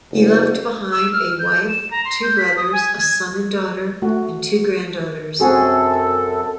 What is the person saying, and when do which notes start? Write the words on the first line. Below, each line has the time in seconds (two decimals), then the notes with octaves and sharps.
He left behind a wife, two brothers, a son and daughter, and two granddaughters.
0.11 F#1
0.92 E6
1.12 F6
1.39 G6
1.68 E7
1.91 A#5
2.05 C6
2.23 G6
2.38 B6
2.56 D#6
2.73 G#5
2.98 G#6
4.02 A3 F#4
5.40 F#2 C4 F#4 G#4 A4